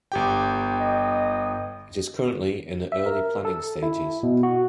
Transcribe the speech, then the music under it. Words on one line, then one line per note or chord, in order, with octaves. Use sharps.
It is currently in the early planning stages.
G1 G4 G5
D#5
E5
A#4
A4
E4
B2
F#4